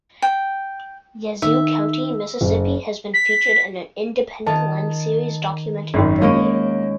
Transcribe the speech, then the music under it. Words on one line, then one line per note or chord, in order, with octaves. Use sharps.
Yazoo County, Mississippi has been featured in an Independent Lens series documenting bullying.
G5
D#3 E5
F#1
B6
D#3 A5
G#1 F#2 D#3
D#2 G#3 A#3 C#4